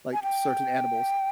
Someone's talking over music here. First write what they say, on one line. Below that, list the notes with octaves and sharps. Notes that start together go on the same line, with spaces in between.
like, certain animals.
G#5
G5